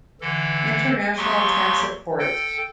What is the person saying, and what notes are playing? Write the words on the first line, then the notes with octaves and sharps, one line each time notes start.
International transit port.
D3 E3 A4
D#2 F#3 G4 C6 C#6
A4 G5